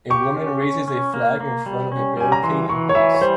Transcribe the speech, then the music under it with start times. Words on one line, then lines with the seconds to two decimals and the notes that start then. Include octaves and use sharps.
A woman raises a flag in front of a barricade and police.
0.10 G4 C#6
0.37 C#4
0.62 C#4
0.88 C#4
1.14 A#3
1.41 A#3
1.66 G3
1.92 C#4
2.17 G3 G#5
2.32 A#5
2.43 E3 C6
2.69 E3 C#6
2.89 C#5
2.95 E3 E5
3.15 C#5
3.22 G3 C5